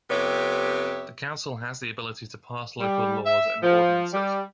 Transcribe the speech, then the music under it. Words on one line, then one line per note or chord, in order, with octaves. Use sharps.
The Council has the ability to pass local laws and ordinances.
F2 C3 B3 G4 C#5 E5
G3
E5
F3
G3